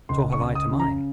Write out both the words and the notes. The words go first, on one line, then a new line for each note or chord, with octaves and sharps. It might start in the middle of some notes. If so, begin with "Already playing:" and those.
"So have I to mine!"
C#2 C6
C#6
C#2
D#6
C#3
A#5